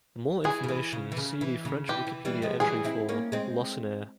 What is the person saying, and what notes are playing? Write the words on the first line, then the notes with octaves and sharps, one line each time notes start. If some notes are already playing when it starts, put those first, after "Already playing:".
For more information, see the French Wikipedia entry for Lacenaire.
E3 G#4
C#3
E3
C#3
E3
C#3
E3
C#3
E3 G4
E3
E3 G3
F3 G#3
E3 G3 G#4
C4 E4
A#3 C#4
G#3 C4